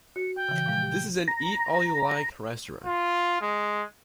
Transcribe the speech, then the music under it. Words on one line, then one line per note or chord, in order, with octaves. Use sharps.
This is an Eat All You Like restaurant.
F#4 C#7
G5
C#3 E3
A#2 F3 G#3
G4
A#5
F4
G#3